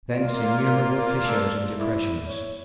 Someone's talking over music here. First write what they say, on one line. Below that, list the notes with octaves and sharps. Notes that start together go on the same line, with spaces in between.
Thence innumerable fissures and depressions.
A#3 F4 D5
A3 D5 E6
E4
C#5